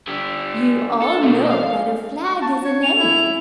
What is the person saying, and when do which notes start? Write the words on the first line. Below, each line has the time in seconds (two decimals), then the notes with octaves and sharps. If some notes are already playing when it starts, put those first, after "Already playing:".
You all know that a flag is an emblem.
0.07 D3 G3
1.02 A4
1.23 B2 A3
1.51 F5
2.42 A5
2.65 C#5
2.83 F7
3.00 E4